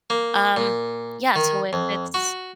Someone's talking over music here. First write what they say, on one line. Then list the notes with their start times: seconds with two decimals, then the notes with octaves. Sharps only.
Um, yeah, so if it's
0.10 A#3
0.56 A#2
1.36 D#3
1.73 F2
2.14 F#4